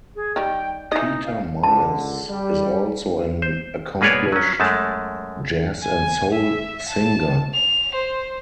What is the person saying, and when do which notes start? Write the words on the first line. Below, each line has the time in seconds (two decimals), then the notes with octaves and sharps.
Peter Miles is also an accomplished jazz and soul singer.
0.16 G#4
0.36 D#3 G3 G5
0.92 E3 D#4 D#5
1.25 F5
1.63 C#2 D3 A5
2.29 G3
3.42 C5
4.01 B2 A#3 G#4 B4 C#5 D5
4.32 F#3 C#4
4.60 F#2 G#3 A3 A5
5.82 G#5
6.33 E5
6.89 A5
7.54 F7
7.95 C5